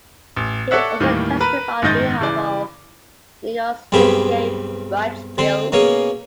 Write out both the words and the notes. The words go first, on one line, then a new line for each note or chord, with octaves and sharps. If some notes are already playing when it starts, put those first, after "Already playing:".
He also testified on behalf of New York State's Gay Rights Bill.
A1
A4 C#5 D5 E5 F#5
D#2 A2 D#3 E3 G3 A#3
A#4 B4 A#5 B5
F#1 G#2 D#3 D#5 G6 A6
C#3 E3 D5
B1 G2 C4 G4 G#4 B5
D3 C4 C6
B2 A#3 C#4 G#4